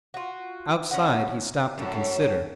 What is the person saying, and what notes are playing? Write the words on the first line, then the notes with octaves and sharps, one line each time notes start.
Outside, he stopped to consider.
F4 F#4
C#4 D#4 F#5
F#2 A2 A3